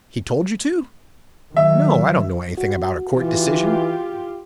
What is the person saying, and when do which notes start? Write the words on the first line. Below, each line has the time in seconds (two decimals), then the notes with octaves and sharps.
He told you to!--No, I dunno anything about a court decision.
1.57 D#3 F#3 E5
2.58 F#4
3.18 E3 F4 G4